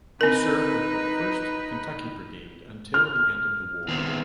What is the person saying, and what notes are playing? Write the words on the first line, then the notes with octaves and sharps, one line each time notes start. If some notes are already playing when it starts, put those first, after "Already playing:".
He served with the First Kentucky Brigade until the end of the war.
C4 D#4 A#4 B4
F6
D#3 B3 C4